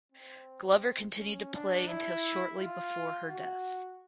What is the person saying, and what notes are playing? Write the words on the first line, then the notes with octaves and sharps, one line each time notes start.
Glover continued to play until shortly before her death.
C4
C#4
D4
E4
F4
F#4